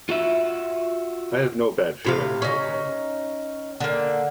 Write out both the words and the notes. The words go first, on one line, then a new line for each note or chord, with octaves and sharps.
I have no bad feeling about him now.
F4 F#4 E5
A2 C3 F5
C#4 D#4
D3 A#3